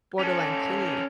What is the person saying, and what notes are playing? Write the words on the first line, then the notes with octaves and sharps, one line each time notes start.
borderline clingy?
C#4 A4